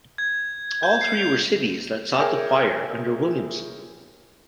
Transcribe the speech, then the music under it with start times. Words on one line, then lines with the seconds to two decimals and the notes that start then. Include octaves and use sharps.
All three were cities that sought the choir under Williamson.
0.18 G#6
0.83 G6
1.01 C7
1.17 F7
2.19 G#4 A#4 C#5 E5 G5 G#5